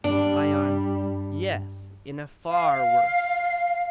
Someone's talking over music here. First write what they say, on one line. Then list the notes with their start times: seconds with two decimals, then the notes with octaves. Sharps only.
ION: Yes, in a far worse.
0.04 G2 G3 D4
2.51 F5